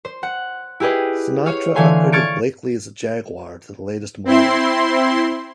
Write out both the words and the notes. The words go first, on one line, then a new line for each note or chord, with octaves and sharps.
Sinatra upgraded Blakeley's Jaguar to the latest model.
C5
F#5
E4 G4 G#4 B4 D#5
C#5 F5
D3 E3 A3 F5 G#5 C6
C#6 F6 G#6 A6 C#7 D7
C4 E4 C6